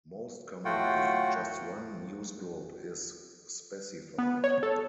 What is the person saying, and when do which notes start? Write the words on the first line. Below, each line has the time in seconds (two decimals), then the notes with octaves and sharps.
Most commonly, just one newsgroup is specified.
0.65 A2 A3 F4 F#4 F#5 G5
4.18 B3
4.44 C#5
4.63 A4